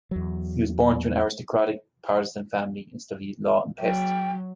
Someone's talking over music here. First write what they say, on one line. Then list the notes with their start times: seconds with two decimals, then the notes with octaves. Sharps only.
He was born to an aristocratic Protestant family, and studied law in Pest.
0.11 E2 F#3
3.79 F#3 G5